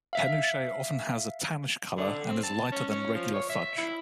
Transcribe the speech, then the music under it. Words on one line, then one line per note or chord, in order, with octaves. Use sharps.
Penuche often has a tannish color, and is lighter than regular fudge.
E5 F5
D3
C4
A5
C#4
C#4
F3
C#5
E5
E4